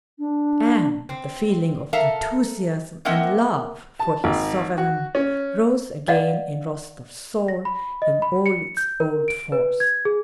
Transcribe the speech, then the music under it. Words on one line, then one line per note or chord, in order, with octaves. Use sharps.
And the feeling of enthusiasm and love for his sovereign rose again in Rostov's soul in all its old force.
D4
C4
A4 A#4 E5 F5 A5 A#5
A#3 C4 A#4 D#5 E5 F#5
A5
G#1
F#4
C#4
D5 D#5 F5 F#5
A#6
B5
D#5
B5
C#7
G6
A#4
D7
B4
G#6
G#4